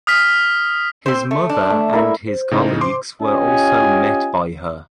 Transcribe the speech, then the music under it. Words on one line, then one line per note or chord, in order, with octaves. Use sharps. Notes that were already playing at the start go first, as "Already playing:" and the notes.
His mother and his colleagues were also met by her.
D#6 F6 B6
C4 C5
A3
D4
A3
E4 A4 A#4
C5
A2 C#3 D#4
C5 C6 D6
C#4 F4 G4 D#5 G#5